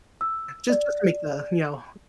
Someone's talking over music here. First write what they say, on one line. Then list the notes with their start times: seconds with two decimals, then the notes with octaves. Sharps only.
just just to make the, you know,
0.21 E6
0.70 D5